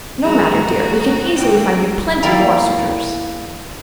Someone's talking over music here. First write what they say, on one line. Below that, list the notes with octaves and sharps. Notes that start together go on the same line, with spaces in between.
No matter, dear, we can easily find you plenty more suitors.
F2 G#3 F#4 A#5
G3
D#3 C4
F2 B2 D3 G5
E2 A#3 E4 D5 G5 A#5